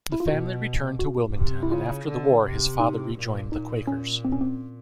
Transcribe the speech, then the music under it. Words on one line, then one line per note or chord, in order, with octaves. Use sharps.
The family returned to Wilmington and after the war his father rejoined the Quakers.
E4
F4
B2 F#4
F#4
C3
E4
C#3 F4
D3
C3
D#4
A#2
A#2 D#4
C#4
C4
C#4
C4